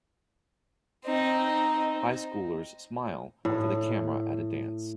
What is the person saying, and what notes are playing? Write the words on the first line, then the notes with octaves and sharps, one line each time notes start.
Highschoolers smile for the camera at a dance.
C4 D#4
A2